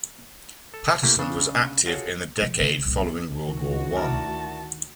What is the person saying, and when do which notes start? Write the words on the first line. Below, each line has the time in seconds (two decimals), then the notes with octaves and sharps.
Patterson was active in the decade following World War One.
0.74 A4
1.03 A3 A#3 E4 G4
1.19 C#3 D4
1.86 F4 F#4 G#4 A4 C#5 F#5
2.42 F3
2.60 C#3 C#4
2.85 C2 A#2
3.02 B3
3.48 D2 D#3 F#4
3.96 D4 E4 A#4 A5